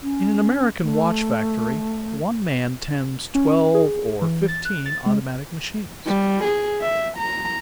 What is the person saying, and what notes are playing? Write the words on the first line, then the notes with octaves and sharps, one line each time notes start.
In an American watch-factory one man tends twelve or fifteen automatic machines.
C#4
A3
C#4
G#4
E3
A6
F#6
A6
G#3
G3
G#4
E5
A#5